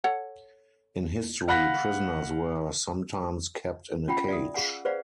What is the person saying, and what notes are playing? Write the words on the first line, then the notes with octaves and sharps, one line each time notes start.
In history, prisoners were sometimes kept in a cage.
A4 C#5 F#5
F5 F#5 B5 F#6 A#6 B6
C#4 F4 F#5 G5 B5
D5 E5 D#6
G#4 F5 F#5 G#5
G#4 B4 C5 D5 F5 F#5